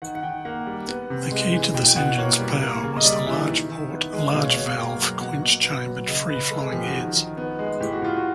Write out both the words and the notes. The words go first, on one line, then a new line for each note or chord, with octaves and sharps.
The key to this engine's power was the large-port, large-valve, quench-chambered, free-flowing heads.
D#3 F#5
F#5
D#3 G5
A#3 F#5
G3
B3
C3
G#3
E3
B2 G5
G5
B2 F#5
A#3 C#5
G3
A#3
C#3
D#5
G3 D5
E3 E5
D#3
D#3
B3
G#3
B2 F5
C#5
B2 C#5
F5
A#3 G5
F#3
B2 F#5
B2
B3
F#3
C#3 D#5
C#3 B4
G#3 A4
G#4
F3 G4
F#4
D#3
D#3
B3
G#3
A2 G4
F#4
A2 F4
F#4